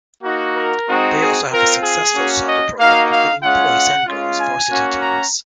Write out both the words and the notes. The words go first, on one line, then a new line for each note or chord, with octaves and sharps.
They also have a successful soccer Program including boys and girls varsity teams.
A#3 D#4 F#4
A#4
G#3 C4 D#4 F#4
G#4
C4 F4 A#4
G#4
A#3 C#4 F#4
D#5
A#3 D#4 F#4 F5
F5
G#3 C#4 F4 F#5
G#3 C#4 F4
G#5
A#3 C#4 F#4
A#5